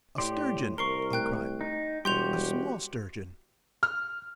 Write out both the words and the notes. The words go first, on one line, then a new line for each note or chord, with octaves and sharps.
"A sturgeon," I cried; "a small sturgeon."
A2 G4 D5 C6
C2 A#4 C#6 C7 G7
A3 G5 F#6
D#4
E1 B2 G3 F#4 G4 C6 G6 F7
F6